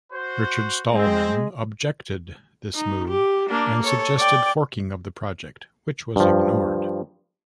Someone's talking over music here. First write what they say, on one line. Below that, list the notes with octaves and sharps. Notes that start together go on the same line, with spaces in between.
Richard Stallman objected this move and suggested forking of the project, which was ignored.
F#4 C5
G#3 C4
D#4
G4
A#3 D4
A4 C#5
D5 G5
G2 F3